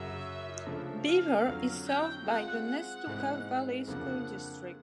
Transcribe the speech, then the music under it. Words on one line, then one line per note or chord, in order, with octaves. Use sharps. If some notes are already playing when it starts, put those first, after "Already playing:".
Beaver is served by the Nestucca Valley School District.
Already playing: F#2 C#3 F#3 E5
C#3 F3 A3 D4
F5
F2 D3 F#3
G5
G#3 C4 F4 G#4 F#5
F#5
G#2 E3 G#3 C4 D#4
F2 C#3 F3 A#3 D4 F#5